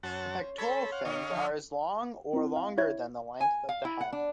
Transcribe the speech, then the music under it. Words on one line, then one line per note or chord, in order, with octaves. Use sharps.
The pectoral fins are as long or longer than the length of the head.
F#2 C#4 C5 F#5 A5
A4 C5 C#5 B5
F5 F#5
D3 C#5 D#5 F5
D3 F3
C4 E4
F5
E4 C#5 E5 G#6
G#5
F5
E4
F#5
D4